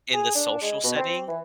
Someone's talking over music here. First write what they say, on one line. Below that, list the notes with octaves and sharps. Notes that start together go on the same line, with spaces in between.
in the social setting?
G#4
D4
G#3
B2
C4
E3